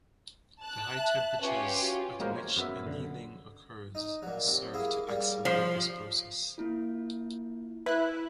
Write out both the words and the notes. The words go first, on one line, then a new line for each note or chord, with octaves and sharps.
The high temperatures at which annealing occurs serve to accelerate this process.
A5 F#6
E5
C#4 F4 G4 B4
F#4
F#3 G#3 A#3 B3 A#4 C5
C#5
F#2 B3 E5
D3
D#4
A#2 F#3
C3
A#3 E4 G#4
C#3 G3 A#3
F3
A#3 E4 F4
E4 B4 F#6